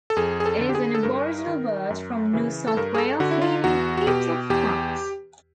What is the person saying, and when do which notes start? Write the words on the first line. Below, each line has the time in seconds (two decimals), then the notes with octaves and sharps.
It is an Aboriginal word from New South Wales meaning "heaps of rocks".
0.10 A4
0.17 F2 G#4
0.40 G#4
0.46 A4
0.61 D3
0.69 G4
0.75 G#4
0.95 A4
1.03 G2 A#4
1.47 D#3
1.90 F#2
2.33 C#3 E3
2.68 A4
2.77 G2 A#4
2.95 G#4
2.98 A4
3.20 D3 F#4
3.31 E4
3.42 F4
3.64 E2 F#4
3.97 F#4
4.07 B2 G4
4.50 E2 G4